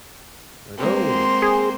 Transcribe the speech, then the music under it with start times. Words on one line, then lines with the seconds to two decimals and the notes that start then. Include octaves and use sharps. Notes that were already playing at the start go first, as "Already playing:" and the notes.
like, "Oh!"
0.77 G#3 A#3 C4
1.11 C6
1.42 G#4